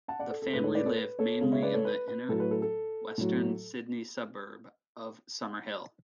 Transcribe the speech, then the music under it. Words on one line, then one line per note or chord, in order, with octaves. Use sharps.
The family lived mainly in the inner western Sydney suburb of Summer Hill.
F#5 A5
D5 F#5
A4
A4
A2 G#3 B4
A4 C#5
B4 D5
A4 C#5
B4
A4 C#5
C#3 G#3
C#5 E5
B4 D5
A4 C#5
B4
B4
A2 F#3 A4
B4
A4
A4
A2 F#3